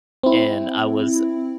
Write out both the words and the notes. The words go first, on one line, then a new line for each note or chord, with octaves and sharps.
and I was"
C4 E4